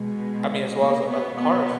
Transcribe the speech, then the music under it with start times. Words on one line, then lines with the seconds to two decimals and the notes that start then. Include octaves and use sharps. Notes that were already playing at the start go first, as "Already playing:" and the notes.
I mean, as well as the as the cars
Already playing: B2 G#3
0.78 A#3
1.09 B2 B3
1.40 B3